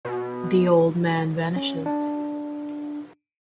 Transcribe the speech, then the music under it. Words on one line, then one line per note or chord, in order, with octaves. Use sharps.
The old man vanishes.
B2
C#4
D4